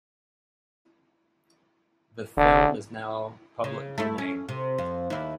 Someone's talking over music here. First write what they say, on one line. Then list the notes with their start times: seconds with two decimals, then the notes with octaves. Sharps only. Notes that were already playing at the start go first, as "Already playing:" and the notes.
The film is now public domain.
2.37 F1 D3
3.64 C#3
3.98 A3 E4
4.18 C#4
4.49 C3
4.78 F2
5.10 D#2 E4